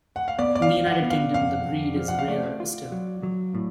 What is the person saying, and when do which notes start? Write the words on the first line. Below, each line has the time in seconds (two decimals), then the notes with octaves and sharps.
In the United Kingdom, the breed is rarer still.
0.16 F#5
0.28 F5
0.39 B3 D5
0.55 D5
0.62 F5
0.70 F3
0.87 F#5
1.02 B3
1.10 F5
1.34 F2 F5
1.65 F2
1.96 F3
2.08 F#5
2.19 F5
2.28 A3 D5
2.60 F4
2.92 F#3
3.23 F#3
3.55 A2